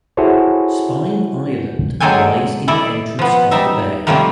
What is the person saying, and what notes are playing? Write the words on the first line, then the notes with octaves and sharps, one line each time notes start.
Spine Island lies in the entrance of the bay.
E4 F#4 G#4 A4 C5 C#5
F#3 G#3 A#3 A4 G5 G#5
E4 A4 D5 D#5
F3 B3
G3 D#4 E5
C3 D#3 F3 G3 A3 A#3